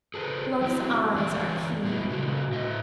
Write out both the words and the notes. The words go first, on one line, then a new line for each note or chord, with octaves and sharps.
Love's eyes are keen.
G#4 A4 B4 C5
F#3 C4 E4
E2 C#4 D5
A#2 G#3 B3 E4
A#2 C#3 F#3 F#4
A2 D#5 E5